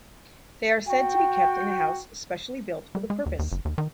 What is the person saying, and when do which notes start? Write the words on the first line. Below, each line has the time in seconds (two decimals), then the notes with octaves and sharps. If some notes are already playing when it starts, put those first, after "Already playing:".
They are said to be kept in a house specially built for the purpose.
0.87 F#4 G5
2.95 G3
3.10 G#3
3.26 D#2
3.39 D#2
3.52 F#1
3.65 D#2
3.78 D#3